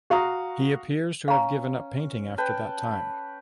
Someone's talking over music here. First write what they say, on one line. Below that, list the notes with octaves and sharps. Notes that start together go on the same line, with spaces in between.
He appears to have given up painting after that time.
F#4 F5 A#5 D#6
C#4 F5 A#5
B4 G5 A5